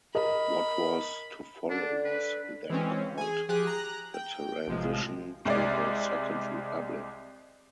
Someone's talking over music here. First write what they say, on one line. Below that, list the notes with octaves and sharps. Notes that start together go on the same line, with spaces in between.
What was to follow was then called the transition to the "Second Republic".
A#4 D#5 B5
D3 D4
B4
E3 G#3 C4 C#4
G#4 G#5
F3 G4 G#4 F#6
A#5 F#6
G5
A1 C3 F3 G#3
C2 G#3 D5